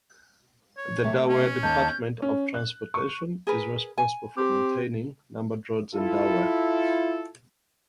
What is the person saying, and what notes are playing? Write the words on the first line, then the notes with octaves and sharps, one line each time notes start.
The Delaware Department of Transportation is responsible for maintaining numbered roads in Delaware.
C#5
C3 A3 A#3
C#4
D#2 A#3 A5 G6
C#4
F#6
C#6
G#4 A#4 B4
G#5
C4 G4
E4 F4 A4